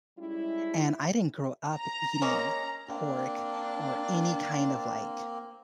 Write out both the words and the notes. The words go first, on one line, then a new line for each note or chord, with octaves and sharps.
and I didn't grow up eating pork or any kind of like
G3 G#3 C#4 E4
A#5
G#3 A#3 C#4
A#3 C4 D4